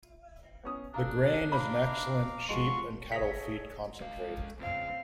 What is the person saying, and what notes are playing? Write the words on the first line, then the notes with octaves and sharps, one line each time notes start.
The grain is an excellent sheep and cattle feed concentrate.
B3 C#4 D#6
D4 A4 F5 A#5
F5 A#5 B5 D6
F3 G#3 F4 F#4 C6 C#6
G#4 A4 C#5 D#6 A#6 B6 C#7
G#3 F5
C#2 C4 F5